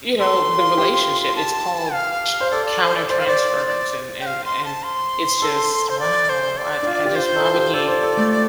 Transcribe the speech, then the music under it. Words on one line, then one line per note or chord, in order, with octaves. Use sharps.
you know, the relationship it's called tr countertransference and and and it's just, wow, I I just why would he
A4 C6
F4
G4
A5
F5
C5
A4 D5
D5
C5
D5
C5 D5
F5
C5 D5
D5
G5
F5
C6
A5
C6
A4
C5
D5
C5
D5
D4
F4
G4
F4 C5
A4
G4
A4 D5
C5
A4
A3